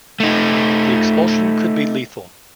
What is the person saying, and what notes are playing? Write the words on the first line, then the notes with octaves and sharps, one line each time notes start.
The expulsion could be lethal.
A3 D#4